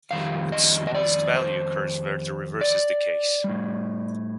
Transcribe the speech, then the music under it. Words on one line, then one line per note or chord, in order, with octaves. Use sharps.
Its smallest value occurs where the reverse is the case.
F2 D#3 G3 F5
D#5
D#5
D5
C5
D5
A2 G3